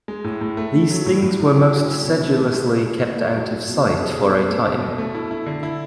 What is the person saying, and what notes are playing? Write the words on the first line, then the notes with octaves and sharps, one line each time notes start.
These things were most sedulously kept out of sight for a time.
G#3
A2
A2
A3
A3
F#3
A2
A2
A2
C#4
F#3
C#4
B2
E4
A3
G#3
G#3
G#3
A2
A3
F#3
A3
B2
A3
G#4
B2
G#4
A3
B2
B2
A3
E4
E4
D3
E4